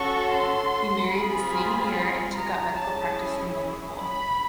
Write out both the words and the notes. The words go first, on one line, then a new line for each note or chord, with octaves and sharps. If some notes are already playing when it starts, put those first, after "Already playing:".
He married the same year and took up medical practice in Liverpool.
Already playing: C#4 F#4 A4 C#6
C6
C4 F4 G#4 B5
A#5
C#4 E4 G#4 A5
B5